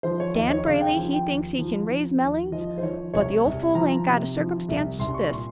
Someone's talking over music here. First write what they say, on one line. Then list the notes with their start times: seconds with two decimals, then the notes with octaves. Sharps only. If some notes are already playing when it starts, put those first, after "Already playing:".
Dan Brayley he thinks he kin raise mellings, but the ol' fool ain't got a circumstance to this.
0.03 F3 C5
0.20 C#5
0.34 D#2 D#5
0.50 C#5
0.66 C#3 F5
0.81 G5
0.96 F3
1.13 G5
1.28 D#2
1.59 F3
1.90 F3
2.21 D#2
2.52 F3 D#5
2.78 C5
2.83 F3 C#5
3.14 C2 C#5
3.45 C2
3.75 F3 A#5
4.07 C3
4.37 F3
4.69 C2
4.99 C2 C6
5.14 C#6
5.31 A#2 C6